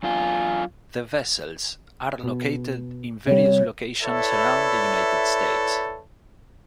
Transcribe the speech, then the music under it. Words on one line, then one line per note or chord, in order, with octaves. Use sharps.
The vessels are located in various locations around the United States.
F#2 D4 F4 G#5
B2
C3 G3 C#5
E4 A4 B4 C#5 D5 E5